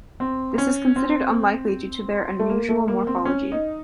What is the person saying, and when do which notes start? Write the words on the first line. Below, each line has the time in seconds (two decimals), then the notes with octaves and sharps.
This is considered unlikely due to their unusual morphology.
0.20 C4
0.58 C#4
0.96 C4
2.39 A3
2.50 A#3
2.69 A3
2.88 A#3
3.07 C4
3.25 C#4
3.52 D#4